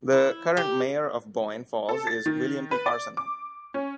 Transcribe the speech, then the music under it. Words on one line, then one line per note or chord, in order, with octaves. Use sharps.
The current Mayor of Boyne Falls is William P. Carson.
E4
G4
A4
A6
D#3
B4
D5
D6
C#4